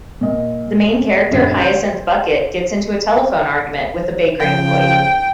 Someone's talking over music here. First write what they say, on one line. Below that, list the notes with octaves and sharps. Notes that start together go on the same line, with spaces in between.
The main character, Hyacinth Bucket, gets into a telephone argument with a bakery employee.
A#2 D#5
D#1 F#2 D3 G#6
C5 G6
C#3 F3 G5